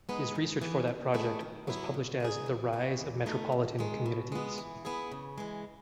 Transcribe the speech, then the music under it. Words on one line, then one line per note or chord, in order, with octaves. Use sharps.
His research for that project was published as "The Rise of Metropolitan Communities".
G#3 B3 D#4
G#2
E3 B3
B2
A3 E4 G#4
D#3
F#3 B3 E4
B2
G#3 D#4 G#4
E3
B3 F#4
E2
B2 A3 D#4
E2
D#3 G#3
B2
G#3 B3
E3
B3 E4 G#4
C#3
E3 G#3